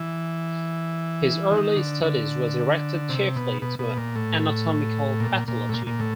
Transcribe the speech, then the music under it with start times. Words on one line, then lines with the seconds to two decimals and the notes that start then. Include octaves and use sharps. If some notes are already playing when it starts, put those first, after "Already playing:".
His early studies were directed chiefly to anatomical pathology.
Already playing: E3
1.51 D#3
1.76 D3
2.04 D3
3.09 C3
3.36 B2
3.62 B2
3.79 B2
3.97 A#2
4.16 A2
5.20 A#2
5.48 A#2
5.69 A2
5.73 A#2
5.87 A#2
6.00 A2